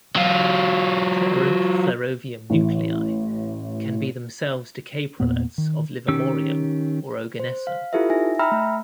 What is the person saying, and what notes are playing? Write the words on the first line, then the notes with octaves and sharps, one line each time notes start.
Parent flerovium nuclei can be themselves decay products of livermorium or oganesson.
F#3 F4
A1 E3
E2 A#2 A#3 B3
D#3
D#3 C#4 G4 E6
C5
F5
E4 F4 G4 A4 B4 E5
D#4 E5 G#5 A#6
E5 G5 A#5 B5 E6 F6
A3